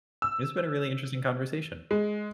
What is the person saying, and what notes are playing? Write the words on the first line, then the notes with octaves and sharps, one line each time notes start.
It's been a really interesting conversation.
E6
G#3